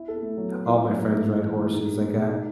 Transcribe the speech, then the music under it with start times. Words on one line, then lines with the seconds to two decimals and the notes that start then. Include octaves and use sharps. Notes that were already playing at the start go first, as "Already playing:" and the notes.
all my friends ride horses. I got,
Already playing: E4
0.08 A4
0.22 A3
0.37 F#3
0.52 B3
0.67 E4
0.82 F#3
0.97 A2
1.11 A3
1.26 A2
1.41 E3
1.56 A2
1.70 D#4
1.86 G#4
2.01 G#3
2.15 B2
2.30 D#4